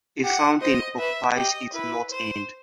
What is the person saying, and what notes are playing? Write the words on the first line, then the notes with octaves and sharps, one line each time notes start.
A fountain occupies its north end.
G4 F#5
C5 D#5
B4 E5
G4 D#5
E4 B4
C5